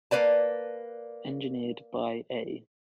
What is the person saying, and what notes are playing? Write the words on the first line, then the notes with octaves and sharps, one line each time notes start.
Engineered by A.
A#3 B4 D5 A5